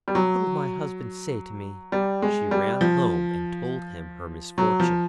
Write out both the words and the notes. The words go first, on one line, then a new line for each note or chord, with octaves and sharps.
'What will my Husband say to me?' She ran home, and told him her misfortune.
G3
F#3
G3
G#3
G3
F3
F#3
F3